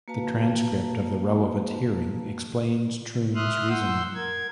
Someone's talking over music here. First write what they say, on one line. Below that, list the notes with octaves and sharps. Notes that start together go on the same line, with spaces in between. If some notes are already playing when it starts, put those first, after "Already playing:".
The transcript of the relevant hearing explains Troon's reasoning.
A#3 F#4 B4 F5 A5 A#5
E5 C6 D#6 F6 F#6
F#5 C6 E6 G6
A#4 G#6